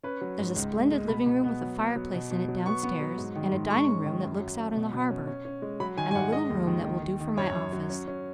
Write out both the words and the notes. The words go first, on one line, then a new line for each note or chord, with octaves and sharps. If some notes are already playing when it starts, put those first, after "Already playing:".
There's a splendid living room with a fireplace in it downstairs, and a dining room that looks out on the harbor, and a little room that will do for my office.
C#4 B4
F#3
G#2
C#2
G#3
G#3
B2 B5
B2
B3
F#3
B3
F#3
B2
B2
F#3
B3 C#6
B3
F#3
G#2
D#3
G#2
G#3 C#6
C#4
D#3
F#2
F#3
F#3
B2
B2
C#4
C#4
C#4
G#3
F#3 B5
D#3 G#5
G#5
G#2 F#5
G#3 D#5
D#2
D#3
D#3
D#3
D#3
F#2 C#5
F#2
F#3
C#4
C#4